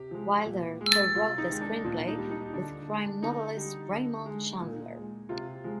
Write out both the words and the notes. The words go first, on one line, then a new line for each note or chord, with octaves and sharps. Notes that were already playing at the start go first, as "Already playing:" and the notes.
Wilder co-wrote the screenplay with crime novelist Raymond Chandler.
Already playing: C3 G4
F3 G#3
A#2
G#3
C3 F4
D#4
D#3 G#3
D4
A#2 D4
D#4
G3
D#4
D3 D4
G#3
D3 D#4
G3
D3
G#3
A#2
G#3
C3 F4
F3 G#3